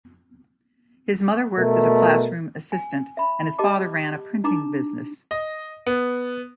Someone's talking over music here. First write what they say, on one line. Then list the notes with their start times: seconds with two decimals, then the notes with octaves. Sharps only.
His mother worked as a classroom assistant, and his father ran a printing business.
1.57 B2 A3 A#4
2.72 G#5
3.17 E5 B5
3.59 G4 D#5 A5 D6
4.44 D4 D#4 A#5 D6
5.31 D#5
5.87 B3